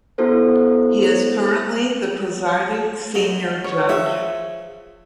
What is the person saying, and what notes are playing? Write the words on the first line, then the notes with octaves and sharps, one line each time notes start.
He is currently the presiding senior judge.
B3 E4 F#4 A4 C5
F#2 F#3 D#4
C#5
F3 G#4 C#5 E5